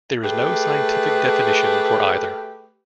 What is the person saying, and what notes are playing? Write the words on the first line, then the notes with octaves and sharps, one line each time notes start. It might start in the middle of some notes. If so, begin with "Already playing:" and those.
There is no scientific definition for either.
A3 G4 G#4 B4